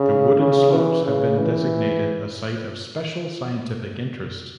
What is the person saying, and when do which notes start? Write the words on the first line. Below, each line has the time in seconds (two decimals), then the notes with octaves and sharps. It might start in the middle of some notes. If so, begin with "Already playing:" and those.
The wooded slopes have been designated a Site of Special Scientific Interest.
Already playing: C#3
0.38 C#3
0.72 E3
1.05 C#3
1.39 E3